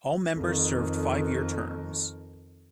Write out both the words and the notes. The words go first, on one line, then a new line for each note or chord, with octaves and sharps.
All members served five-year terms.
F2 D#3